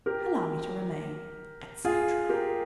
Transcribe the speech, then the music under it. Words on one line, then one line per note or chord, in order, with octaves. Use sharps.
Allow me to remain, etc.
G4 A#4
F4 G#4
G4 A#4